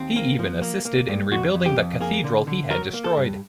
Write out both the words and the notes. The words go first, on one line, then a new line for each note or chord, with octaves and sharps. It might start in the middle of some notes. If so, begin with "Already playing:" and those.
He even assisted in rebuilding the cathedral he had destroyed.
Already playing: D#2 C4
A#3
F3
A#3
A#3
G2
F2 F#4
F2
G4
F2
A#3 G#4
D3
D3
F#3 A#4
A#3
A4
G2